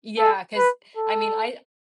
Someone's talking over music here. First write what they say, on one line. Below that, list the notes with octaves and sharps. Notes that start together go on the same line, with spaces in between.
Yeah, 'cause I mean I
A4
B4
A4